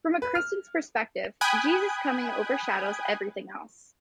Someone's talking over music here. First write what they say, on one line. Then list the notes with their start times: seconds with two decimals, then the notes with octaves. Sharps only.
From a Christian perspective, Jesus’ coming overshadows everything else.
0.22 B4
0.35 F6
1.41 G5 G#5 B5 D#6 F#6 G#6